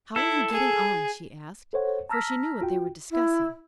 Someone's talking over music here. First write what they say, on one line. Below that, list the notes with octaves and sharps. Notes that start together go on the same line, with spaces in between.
"How are you getting on?" she asked, for she knew what they were discussing.
E4 A4
G#4
A4 C5 C#5 F#5
A5 A#5 E6 F6 A#6 B6
F4 F#4 G5
E4